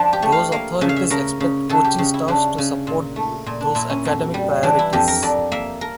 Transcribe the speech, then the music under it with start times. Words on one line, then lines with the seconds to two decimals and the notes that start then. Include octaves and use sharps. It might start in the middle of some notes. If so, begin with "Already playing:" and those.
Those authorities expect coaching staffs to support those academic priorities.
Already playing: F3 D4
0.13 G4
0.22 A3
0.32 F5
0.52 A#3 F5
0.81 C#3 E5
0.89 F5
0.96 E5
1.10 C#3 A#4
1.40 C#3
1.69 C#3 A4
1.84 G4
1.98 C#3
2.14 E4
2.28 C#3 D4
2.58 C#3
2.87 A#2
3.16 A3
3.46 A#2
3.61 D4
3.75 A#2 E4
3.90 C#4
4.05 F2
4.34 G3
4.63 E3 D4
4.79 E4
4.93 F2 G4
5.08 A#4
5.22 F2 D5
5.52 A#3 E5
5.81 A#4